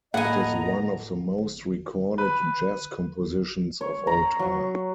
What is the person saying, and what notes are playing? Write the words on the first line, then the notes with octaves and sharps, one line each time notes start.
It is one of the most recorded jazz compositions of all time.
A2 A#3 D#5 F#5 G#5 A#5
B4
C#5
A#5
F#3